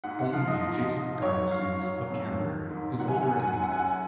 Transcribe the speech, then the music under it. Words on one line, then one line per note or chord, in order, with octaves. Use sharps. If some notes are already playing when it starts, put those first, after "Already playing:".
Only the adjacent Diocese of Canterbury is older in England.
G#2 F#5
F#5
F3 F5
D#5
G#2
G#2
F#3 C#5
F#3 F5
F#3
F2
D#3
G#2
F#3 F#5
G#5
F#5
G#5
F#3 F#5
G#5
F#5
F#2 G#5
F#5
G#5
F#5
G#5